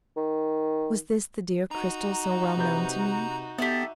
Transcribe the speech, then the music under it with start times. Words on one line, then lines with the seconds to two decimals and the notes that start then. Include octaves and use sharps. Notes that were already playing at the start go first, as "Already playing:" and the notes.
Was this the dear Cristel so well known to me?
0.17 D#3
1.71 D#4 F#4 A#5
2.57 C3 B4 G6
3.58 B3 G4 A4 D5 E5